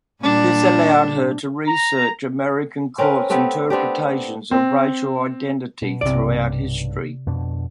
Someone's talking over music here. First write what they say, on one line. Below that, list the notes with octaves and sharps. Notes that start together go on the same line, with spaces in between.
This allowed her to research American courts interpretations of racial identity throughout history.
A#2 G3 D4
A#5
C4 C#4 A#4 B4
A3 B3 C4 G4
B3 C4 D4 G4
C4
B2
B1 G2 C3 D5
F2 B2 D4